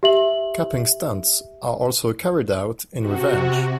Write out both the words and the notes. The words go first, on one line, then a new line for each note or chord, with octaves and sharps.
Capping stunts are also carried out in revenge.
G4 E5 F#7
C3 F#4